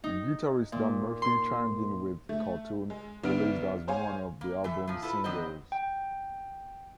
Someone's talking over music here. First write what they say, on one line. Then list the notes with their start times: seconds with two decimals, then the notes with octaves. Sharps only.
Guitarist Dan Murphy chimed in with "Cartoon," released as one of the album's singles.
0.04 D#4
0.72 A#2
1.22 C6
2.29 A3
2.90 G#3
3.24 C2 D3 B3 F6 D7
3.88 G#4 C5 C#5 F5 G#5
4.41 A#3
4.64 E3 A4 E5
4.87 A#2 F3
5.02 E4 F4 A4 B4
5.24 D#3 B3 C4 D4 C5 D#5
5.72 G5